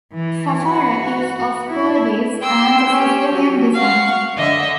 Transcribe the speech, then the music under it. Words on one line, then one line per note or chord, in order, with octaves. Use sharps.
Fafara is of Portuguese and Sicilian descent.
E3
F#4
E4
G5 C6 E6
C#4 G4
F#3
F5 F#5 C#6
D3 D#5 E5